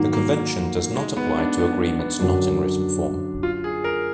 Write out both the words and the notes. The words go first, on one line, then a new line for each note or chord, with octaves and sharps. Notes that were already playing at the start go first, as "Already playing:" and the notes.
The Convention does not apply to agreements not in written form.
Already playing: G#2 D#3 F#3 A#3
A#3
G#3
B3
D4
B3
B3
B3
F#2 D3 F#3 D4
F4
G#4
A#4